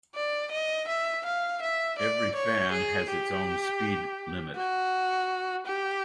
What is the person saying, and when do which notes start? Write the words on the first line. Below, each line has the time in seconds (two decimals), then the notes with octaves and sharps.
Every fan has its own speed limit.
0.15 D5
0.52 D#5
0.88 E5
1.25 F5
1.62 E5
1.99 D5
2.35 C#5
2.72 G#4
3.09 G4
4.56 F#4
5.66 G4